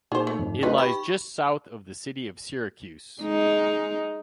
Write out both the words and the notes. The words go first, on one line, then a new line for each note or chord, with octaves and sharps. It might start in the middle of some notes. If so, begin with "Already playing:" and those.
It lies just south of the city of Syracuse.
A#2 D#4 G#4 C5
A3 C#5
F2 G#2
A3 C4 D#4 F4 B4 D#5
G4 B5 C#6
G#3 D#4